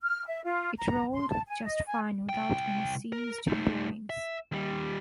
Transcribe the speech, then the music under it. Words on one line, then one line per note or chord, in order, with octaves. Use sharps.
It rolled just fine without any seized bearings.
F6
E5
F4
A#5
C6
A5
G#5
D#5
G#5
C2 G5
A#4
A3 D#4
E5
D#2 G3